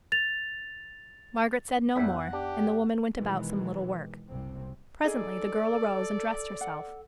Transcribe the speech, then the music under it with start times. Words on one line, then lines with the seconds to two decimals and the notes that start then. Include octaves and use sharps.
Margaret said no more and the woman went about some little work. Presently the girl arose and dressed herself.
0.12 A6 F7
1.96 F2 A2 G3 B3 E5 F#5
2.33 D4 G4
3.17 B2 D#3 E3 G#3
4.29 F#1 C2 C3 C4
5.04 D#4 G#4 A4 D5 D#5
6.61 F#5